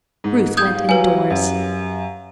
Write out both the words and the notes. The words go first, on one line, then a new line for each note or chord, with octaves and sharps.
Ruth went indoors.
G#2
G4 F5 D#6 G6 G#6
F#3 B4 G#5
F#2